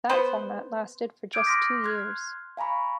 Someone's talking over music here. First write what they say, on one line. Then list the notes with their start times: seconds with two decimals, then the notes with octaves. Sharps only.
That format lasted for just two years.
0.09 B3 B4 C5
1.33 D6 D#6 F6 G6 G#6 D7
1.47 C6 D6 F6 A#6 B6
1.84 C6 F6 F#6 G#6
2.57 F5 G#5 A#5 B5 C#6